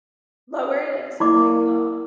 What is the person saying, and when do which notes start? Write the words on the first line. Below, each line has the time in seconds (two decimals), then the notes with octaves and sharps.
lower, like you said, like, um,
1.20 A#3 E4 D5 D6